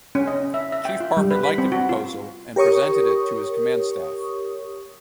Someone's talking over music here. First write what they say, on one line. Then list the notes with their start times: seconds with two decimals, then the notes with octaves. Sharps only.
Chief Parker liked the proposal and presented it to his command staff.
0.15 C#4
0.27 D#5
0.54 E5
0.72 E5
0.85 G5
1.00 F4
1.17 G3
1.31 B4
1.43 B5
1.58 C4
1.72 F#4
1.89 F4
2.56 G4 A#4 C#5 C#6 D#6